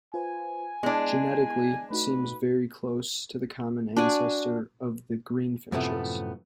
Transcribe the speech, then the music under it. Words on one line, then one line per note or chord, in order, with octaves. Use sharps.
Genetically, it seems very close to the common ancestor of the greenfinches.
F4 B4 C5 G#5
G#3 B3 D4 E4
A3 D#4 F#4 B4
D4 F#4 D5 G#5
F#2 A2 C3 F3 A3 B3